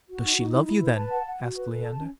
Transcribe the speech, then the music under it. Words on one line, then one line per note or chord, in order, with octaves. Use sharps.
"Does she love you then?" asked Leander.
F#4
D#4
D#4
E4
E4
B4
A5
F#5
F#5
F#4
B4
A4
A5
C#4